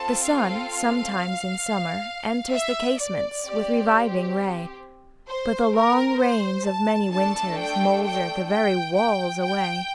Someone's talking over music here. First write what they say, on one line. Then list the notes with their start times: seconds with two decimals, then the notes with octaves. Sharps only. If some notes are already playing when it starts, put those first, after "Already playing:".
The sun, sometimes in summer, enters The casements, with reviving ray; But the long rains of many winters Moulder the very walls away.
Already playing: C4 F4 A4 A5
0.24 F5
2.54 E5
2.99 D5
3.45 C4 G4 D5
5.29 C5
5.75 A#4
6.20 C5
6.66 A5
7.12 A3 D4 A4 A5
7.59 G5
8.05 G5
8.50 G5
8.96 G5
9.43 G5